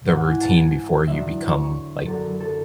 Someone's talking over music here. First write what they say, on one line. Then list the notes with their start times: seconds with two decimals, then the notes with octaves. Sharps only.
the routine before you become, like,
0.07 G#2 E3 F#5
0.24 G#5
0.41 A5
0.57 G#5
1.06 E2 D3 F#3 E5
1.57 C#5
2.06 F#2 D3 F#3 A4
2.40 A4